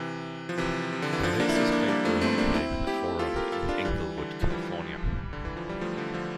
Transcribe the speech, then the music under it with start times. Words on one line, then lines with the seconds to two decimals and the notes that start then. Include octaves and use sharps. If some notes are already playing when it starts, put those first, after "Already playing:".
The Lazers played their home games in The Forum in Inglewood, California.
Already playing: C3 E3
0.49 F3
0.58 C3 E3
0.93 C3
1.02 D3
1.13 E3
1.23 D3 F3
1.40 A#3 D4
1.49 E4
1.56 A#3 D4
1.72 A#3 D4
1.88 G3 A#3
2.05 F3 A3
2.21 A3 C4
2.38 A#3 D4
2.54 C4 E4
2.87 E4 G4
3.19 F4 A4
3.36 G4 A#4
3.52 F4 A4
3.69 D4 F4
3.85 E3 G3
4.18 D3
4.41 F3
4.50 E3 G3
5.33 D3
5.45 E3
5.57 F3
5.69 G3
5.81 F3 A3
5.97 D3 F3
6.14 D3 F3